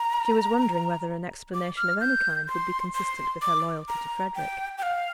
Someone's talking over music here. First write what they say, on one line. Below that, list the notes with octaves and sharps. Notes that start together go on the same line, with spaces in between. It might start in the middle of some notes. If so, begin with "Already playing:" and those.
She was wondering whether an explanation of any kind would be consistent with her loyalty to Frederick.
Already playing: A#5
D6
F6
G6
C6
C6
D6
A#5
G5
G5
F5